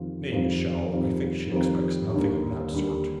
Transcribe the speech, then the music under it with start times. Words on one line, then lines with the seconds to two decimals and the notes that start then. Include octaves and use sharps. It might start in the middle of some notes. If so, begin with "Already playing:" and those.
'Nay, Michel, I think she expects nothing of that sort.'
Already playing: F2 D#3 G3 C4 F4
0.32 F2 D#3 G3 C4 F4
0.92 F2 D#3 G3 C4 F4
1.51 F2 D#3 G3 C4 F4
2.12 D#2 D3 G3
2.72 D#2 D3 G3